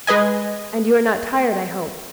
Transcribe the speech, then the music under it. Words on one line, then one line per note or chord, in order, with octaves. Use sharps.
"And you're not tired, I hope."
G#3 B4 D#5 G#5